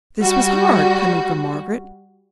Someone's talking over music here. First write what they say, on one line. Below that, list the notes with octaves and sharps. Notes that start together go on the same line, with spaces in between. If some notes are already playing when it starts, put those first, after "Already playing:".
This was hard, coming from Margaret.
G3 F#4